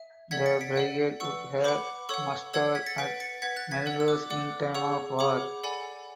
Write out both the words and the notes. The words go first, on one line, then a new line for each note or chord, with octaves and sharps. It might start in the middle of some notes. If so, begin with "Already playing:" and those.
The brigade would have mustered at Melrose in time of war.
Already playing: E5
A4 D5 F#5 G#6 B6
A6 C#7
B6 D7
A4 D5 F#5
B4 F#5 C#6 E6
B4 F#5 B5 D6
A4 C#5 F#5 C#6 E6
A4 C#5 F#5 E6 G#6
G#6 B6
A6 C#7
B4 F#5 B6 D7
A6 C#7
B4 F#5 G#6 B6
F#6 A6
G#6 B6
A4 D5 F#5
E6
D6 F#6
A4 D5 F#5 D6 F#6
G#4 C#5 F#5 C#6 E6
G#4 C#5 F#5 B5 D6
A4 D5 F#5 G#5 B5